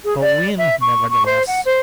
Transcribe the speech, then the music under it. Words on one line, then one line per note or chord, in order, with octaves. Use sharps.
"Go in, nevertheless."
G#4
D5
E5
C#6
C#6
C5
F#5
C5